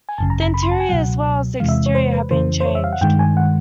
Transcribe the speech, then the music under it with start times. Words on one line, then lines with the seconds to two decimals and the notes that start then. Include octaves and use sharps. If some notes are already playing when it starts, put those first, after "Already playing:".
The interior as well as the exterior have been changed.
0.09 G#5
0.18 G#1 F#2 C#3 A5
0.30 A#5
0.42 A#5
0.54 B5
0.63 C6
0.71 A5
0.80 G#5
0.89 C#2 B2 F#3 F#5
1.60 E2 C3 E3 G#3 F5
1.69 E5
1.86 C#5
1.95 C5
2.13 B4
2.31 F2 C#3 E3 C5
2.60 C5
2.66 C#5
2.75 E5
2.84 F5
2.93 F#5
3.01 G2 D#3 G#3 G5
3.19 G#5
3.37 F#5